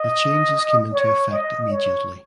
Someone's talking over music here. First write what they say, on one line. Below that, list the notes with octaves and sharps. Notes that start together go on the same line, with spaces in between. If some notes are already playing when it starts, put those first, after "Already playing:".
The changes came into effect immediately.
Already playing: D#5
C#5
D#5
C#5